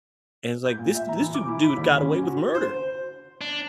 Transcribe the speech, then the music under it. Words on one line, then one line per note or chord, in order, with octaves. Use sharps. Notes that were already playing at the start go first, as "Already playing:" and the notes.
and it's like, this this du dude got away with murder
G6
A#2
E5
A#5
E3
D6
E4
B5
D#2
G#5
C#4
F#4
C5
D4